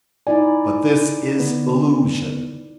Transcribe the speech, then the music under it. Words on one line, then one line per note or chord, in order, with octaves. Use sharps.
But this is illusion.
D#4 E4 D5 G#5
D3 B3 B4